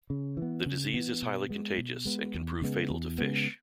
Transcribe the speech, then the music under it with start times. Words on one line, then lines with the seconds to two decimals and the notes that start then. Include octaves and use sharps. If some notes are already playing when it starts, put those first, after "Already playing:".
The disease is highly contagious and can prove fatal to fish.
0.10 C#3
0.37 E3
0.42 B3
0.66 C#3
0.94 E3 B3
1.22 B2
1.49 G#3 B3
1.78 B2
2.05 G#3 B3
2.35 E2
2.62 C#3 G#3 B3
2.90 E2
3.18 C#3 G#3 B3